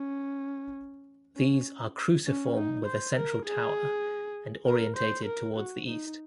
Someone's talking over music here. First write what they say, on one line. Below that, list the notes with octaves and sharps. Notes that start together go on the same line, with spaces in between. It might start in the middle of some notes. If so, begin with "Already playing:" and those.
These are cruciform with a central tower, and orientated towards the east.
Already playing: C#4
C#4
C#4
D#4
C5
A#4
G#4
A#4
C5
A#4
F#4
D#4